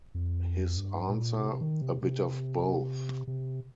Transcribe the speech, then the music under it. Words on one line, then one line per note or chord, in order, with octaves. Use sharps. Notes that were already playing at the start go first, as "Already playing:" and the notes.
His answer: "a bit of both".
F2
G2
A#2
C3
D#3
C3
C3
C3